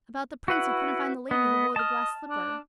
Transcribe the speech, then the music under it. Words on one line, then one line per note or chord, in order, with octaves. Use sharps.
"About the prince who couldn't find the lady who wore the glass slipper."
E4 F#4 B4 F#5
B3 D#5
D#5 A5 F6
D4